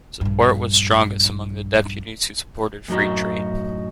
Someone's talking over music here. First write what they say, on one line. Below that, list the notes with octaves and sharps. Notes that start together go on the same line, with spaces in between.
Support was strongest among the deputies who supported free trade.
A#1 G2
F#2 A2 F#3 D#4 F#4 A#5